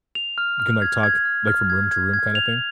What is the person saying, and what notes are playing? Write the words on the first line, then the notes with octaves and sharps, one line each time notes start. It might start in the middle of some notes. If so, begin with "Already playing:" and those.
You can, like, talk, like, from room to room kinda thing?
F7
F6
F6
G#6
G#6
F6
F6
G#6
G#6
G#6
F7